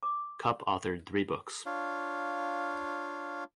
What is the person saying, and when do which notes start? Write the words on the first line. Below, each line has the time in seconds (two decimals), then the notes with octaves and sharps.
Cupp authored three books.
0.03 D6
1.66 D4 F4 C#5 F5